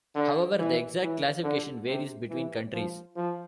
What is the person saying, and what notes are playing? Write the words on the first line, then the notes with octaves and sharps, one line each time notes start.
However, the exact classification varies between countries.
D3
E3
E3
D3
C3
E3
F3
F3